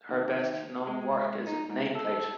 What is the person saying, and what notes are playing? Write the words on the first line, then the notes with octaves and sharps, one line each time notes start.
Her best known work is Nameplate.
D#2
G#3
D#4
G#2
A4